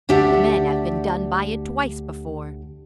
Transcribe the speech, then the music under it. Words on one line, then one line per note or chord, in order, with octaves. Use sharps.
The men have been done by it twice before.
D2 D4 G4 D5 E5 F#5